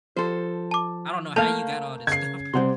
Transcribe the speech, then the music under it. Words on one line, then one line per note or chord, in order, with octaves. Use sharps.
I don't know how you got all this stuff
F3 A4 C5
A5 D6
A3 A#3 A4 F5 A5 G6
C#3 G#6 C7
C3 G3 C5 F#5 C6